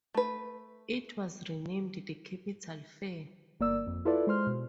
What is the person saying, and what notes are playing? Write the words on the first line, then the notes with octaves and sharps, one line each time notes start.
It was renamed "the Capital Fair".
A3 B4
G1 A#3 D5 E6
F2
E4 F4 A4 B4 D5
G#3 C5 C6 F6
B2